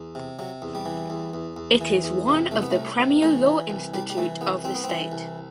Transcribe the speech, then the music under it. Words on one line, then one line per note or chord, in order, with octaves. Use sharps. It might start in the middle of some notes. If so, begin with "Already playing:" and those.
It is one of the premier law institute of the state.
Already playing: E2
C3
C3 F#3
E2
G3
E3
E2
E2
E2
E3
E2
C3
C2 A3
B3
C2 A3
C3
E3 A3
E3
C2
C2 G3
G3
E3 A3
C2 B3
C2 C4
B3
C4
E3
C2